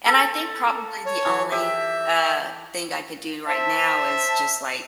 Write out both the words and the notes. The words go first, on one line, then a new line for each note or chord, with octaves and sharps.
And I think probably the only, uh, thing I could do right now is just like
A4
C#5
E3
G4 E5
C5 E5 A5